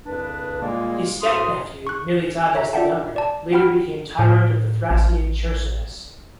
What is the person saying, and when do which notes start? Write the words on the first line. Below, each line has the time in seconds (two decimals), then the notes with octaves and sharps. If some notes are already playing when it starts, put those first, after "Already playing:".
His step-nephew, Miltiades the Younger, later became tyrant of the Thracian Chersonese.
0.06 C2 F2 C#3 D4 B4
0.62 A#2 G3 G#3 A#3 F4 G#4
1.22 D2 A2 D4 C6 D#6
1.87 C#6 F#6
2.55 C#5 E5 A#5
2.73 F4 D5 E5 F#5 G5 A5
3.16 D5 A5
3.53 F#5 G5 B5 F6
4.19 A2
4.90 A1